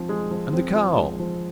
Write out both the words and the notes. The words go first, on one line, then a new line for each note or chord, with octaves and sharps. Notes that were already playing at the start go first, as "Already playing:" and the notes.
"And the cow?"
Already playing: F3 C4
G#3
F3
C4
F3
G#3
F3